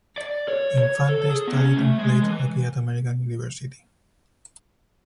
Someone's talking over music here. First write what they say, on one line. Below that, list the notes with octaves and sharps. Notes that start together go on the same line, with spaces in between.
Infante studied and played hockey at American University.
D5
C#5
C#5
A4
G#4
B3
C#4
A3
G#3
E3